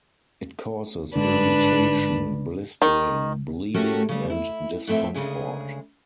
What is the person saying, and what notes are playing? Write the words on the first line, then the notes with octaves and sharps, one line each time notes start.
It causes irritation, blistering, bleeding and discomfort.
G1 G#2 D3 D4 B4
D#3
A3 C#4 F#4 G4 A4 A#4
C#3 G3
E4
F2 A2 A3 C4 E5
D2 C#3 G#3 G#4